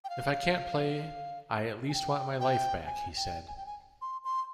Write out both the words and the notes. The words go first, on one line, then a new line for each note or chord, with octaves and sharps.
"If I can't play, I at least want my life back", he said.
G5
F5
G#5
G5
G5
G#5
G5
G#5
G5
G#5
C6
C6